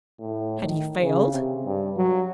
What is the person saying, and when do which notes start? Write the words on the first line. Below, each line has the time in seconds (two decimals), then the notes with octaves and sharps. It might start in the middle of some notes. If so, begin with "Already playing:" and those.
Had he failed?
0.20 A2
0.61 D#3
1.02 C#3
1.31 C3
1.66 G2
1.96 F#3